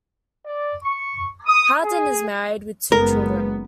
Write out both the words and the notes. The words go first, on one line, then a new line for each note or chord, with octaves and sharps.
Hardin is married, with two children.
D5
C#6
D#6
G#4
F#1 G#3 B3 A#4